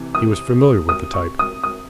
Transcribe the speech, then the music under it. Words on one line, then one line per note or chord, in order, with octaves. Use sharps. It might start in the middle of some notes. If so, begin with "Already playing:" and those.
He was familiar with the type.
Already playing: C3 E3
D#6
D#6
C#6
D#6
D#6